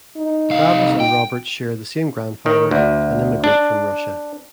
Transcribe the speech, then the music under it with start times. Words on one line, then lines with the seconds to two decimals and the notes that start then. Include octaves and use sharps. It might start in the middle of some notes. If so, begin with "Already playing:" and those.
Kravis and Roberts share the same grandfather, an immigrant from Russia.
0.17 D#4
0.50 C2 F5
1.00 G5
2.46 D#3
2.71 D2
3.44 D4